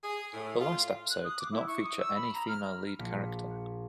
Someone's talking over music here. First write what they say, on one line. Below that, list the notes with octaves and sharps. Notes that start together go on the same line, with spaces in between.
The last episode did not feature any female lead character.
G#4
A2
F4
F#6
D#6
D6
E4
C#6
D#6
E6
B5
A#5
F6
A#1 B6 C#7